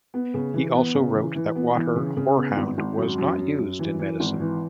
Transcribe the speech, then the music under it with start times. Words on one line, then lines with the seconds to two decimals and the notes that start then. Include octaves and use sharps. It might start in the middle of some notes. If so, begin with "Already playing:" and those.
He also wrote that water horehound was not used in medicine.
0.14 B3
0.34 C#3
0.54 E3
0.74 B3
0.95 C#3
1.15 E3
1.36 E3
1.56 B3
1.76 E3
1.96 C#3
2.17 C#3
2.37 B3
2.57 G#1
2.78 G#1
2.98 F#2
3.18 F#2
3.38 F#2
3.59 F#2
3.79 E3
3.99 E3
4.20 G#1
4.40 E3